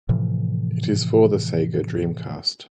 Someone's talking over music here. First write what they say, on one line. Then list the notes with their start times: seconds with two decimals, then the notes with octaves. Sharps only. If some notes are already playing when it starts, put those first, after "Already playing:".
It is for the Sega Dreamcast.
0.09 A2 C3 E3 F3